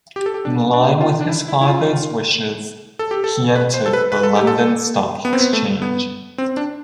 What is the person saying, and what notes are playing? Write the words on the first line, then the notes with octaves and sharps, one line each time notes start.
In line with his father's wishes, he entered the London Stock Exchange.
G4
A4
G4
D4
D4
F4
D4
E4
E4
E4
F4
A4
G4
A4
B4
C5
A4
B4
B4
A4
G4
A4
B3
C4
B3
A3
B3
C4
D4